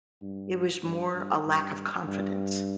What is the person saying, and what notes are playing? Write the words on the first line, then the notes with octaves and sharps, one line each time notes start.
It was more a lack of confidence.
G2
G2
G2
G2
G2